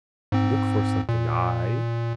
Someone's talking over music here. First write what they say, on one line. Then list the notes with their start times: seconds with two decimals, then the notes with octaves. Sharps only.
Look for something I.
0.32 G#2 C4
1.09 A#2